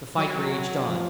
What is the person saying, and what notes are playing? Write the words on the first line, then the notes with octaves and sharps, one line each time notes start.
The fight raged on.
F#3
F3